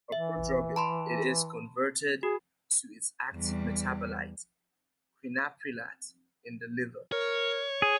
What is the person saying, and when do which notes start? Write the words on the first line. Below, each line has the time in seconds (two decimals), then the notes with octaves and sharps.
A prodrug, it is converted to its active metabolite, quinaprilat, in the liver.
0.12 E3 E5
0.76 A5 B5 C6
2.23 F#4 G#4
3.35 E2 G3
7.12 A#4 C#5
7.82 G#4